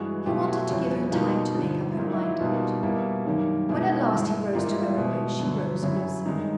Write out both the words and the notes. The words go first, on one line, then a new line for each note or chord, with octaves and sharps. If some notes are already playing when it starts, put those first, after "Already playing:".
He wanted to give her time to make up her mind about him. When at last he rose to go away, she rose also.
Already playing: G2 E3 G#3 F#4 G#4
B2 F#3 A3 F4 G4
E4 F#4
F2 C#3 E3 G3
B2 G3 A#3 D#4 F4
G2 D3 F3
E4
A#2 F#3 A#3 D#4
E4
E4
B2 G3 A#3 D#4 F4
B2 G3 A#3 E4
F#2 D#3 G3 A#3
B2 G#3 E4
D#4
E4
G2 E3 G#3
G#2 E3 G3 A#3 D#4 F4
E4
F4
E4
B2 G#3
G2 D3 F#3
F#2 C#3 F#3 E4
G2 D#3 G#3 D#4